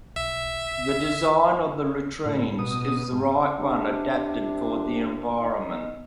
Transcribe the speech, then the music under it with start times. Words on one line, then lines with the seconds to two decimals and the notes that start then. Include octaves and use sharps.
The design of the latrines is the right one adapted for the environment.
0.16 B1 E5
2.25 A2 A3
2.59 B2 D#6
3.12 G#2
3.57 C3 D4
5.41 D#4